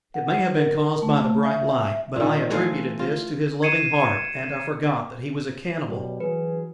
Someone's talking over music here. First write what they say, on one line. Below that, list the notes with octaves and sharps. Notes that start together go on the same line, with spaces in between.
It may have been caused by the bright light, but I attributed this to his loving heart, and I forgot that he was a cannibal.
F#5
A#4
A3
E5
A#2 D#3
E3 A3 C5 F5
F4
G#6 C7 C#7 D#7 E7
B2 F#3 G3
E3 F#3 G#4 B4